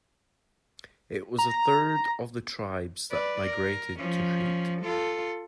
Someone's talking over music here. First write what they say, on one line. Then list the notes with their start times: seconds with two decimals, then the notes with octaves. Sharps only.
It was the third of the tribes that migrated to Crete.
1.39 A#5
3.11 B4 D5
3.45 A#4
3.98 F3 C#4
4.82 F4 A4